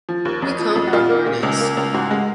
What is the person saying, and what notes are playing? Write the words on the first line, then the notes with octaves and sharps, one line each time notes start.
We come from Arnes.
F3
D#2
F2
F3
F2
F#4
A#2 F4
A#3
A#2
C#2
A#3
C#2
G#2 F#4
G#3